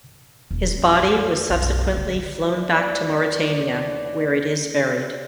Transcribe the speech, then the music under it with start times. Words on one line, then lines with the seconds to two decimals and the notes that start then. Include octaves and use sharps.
His body was subsequently flown back to Mauritania, where it is buried.
0.51 D#1
0.78 C#4
1.02 F2
1.50 B1 F#2
1.97 C#3
2.15 D3
2.57 D#2 E3 D5